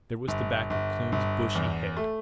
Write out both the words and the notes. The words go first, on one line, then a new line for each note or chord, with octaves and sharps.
There was the back of Kloon's bushy head.
G1
G1
G1
E2
A3